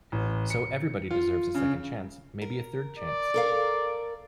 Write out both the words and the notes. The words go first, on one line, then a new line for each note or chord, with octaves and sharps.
So everybody deserves a second chance, maybe a third chance.
A1
C#7
F4
C#3
A#4
D5
A4 A#4 F5